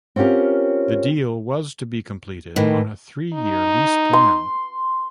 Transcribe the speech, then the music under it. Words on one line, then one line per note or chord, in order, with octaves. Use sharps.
The deal was to be completed on a three-year lease plan.
C4 C#4 F4 G4 A#4
A2 D#3 E3
D#4
C6